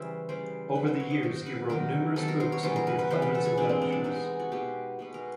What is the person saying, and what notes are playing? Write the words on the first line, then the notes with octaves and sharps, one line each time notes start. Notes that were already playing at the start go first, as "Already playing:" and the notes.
Over the years he wrote numerous books and gave hundreds of lectures.
Already playing: C#3 E3 G3 C5 E5
C#3 E3 G3 C5
C3 D#3 F#3 B4
C5
C#5
D#5
C3 D#3 F#3 C5
C5
B4
C3 D#3 F#3 B3 A#4
C3 D#3 F#3 B3 A4
A#4
C5
C#5
C#3 E3 G3 B3 C5
A#4
B4
B4
C#3 E3 G3 B3 C5
B4
A4
G#4
C3 E3 G#3 B3 D4
C4
C4
D4
C3 E3 G#3 B3 D#4
G#4
F#4
B2 G#3 B3 G4
B2 G#3 B3
A#4